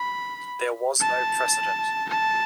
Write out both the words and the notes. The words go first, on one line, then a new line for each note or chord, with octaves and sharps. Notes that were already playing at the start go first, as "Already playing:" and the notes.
There was no precedent.
Already playing: B5
A5
A5